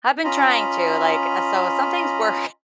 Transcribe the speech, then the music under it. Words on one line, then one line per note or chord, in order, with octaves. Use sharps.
I've been trying to, like, so some things work
C#4 F4 D#5 A#5 B5